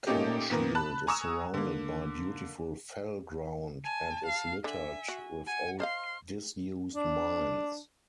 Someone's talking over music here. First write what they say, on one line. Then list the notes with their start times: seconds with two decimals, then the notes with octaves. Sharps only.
Carrshield is surrounded by beautiful fell ground and is littered with old disused mines.
0.07 A#2 A3 A#3 C#4 D#4 G4
0.50 A#2 D#3 B3 A#4
0.75 A5 B5 F#6
1.07 G#5 A#5 C#6 D#6 E6 E7
1.54 D3 A#3
3.84 G#5 A5
4.26 F5
4.64 D3 E5 G#5
5.08 F#4
5.47 F#5 G#5
5.80 C5 D#5 F5 C6 F6
6.94 D4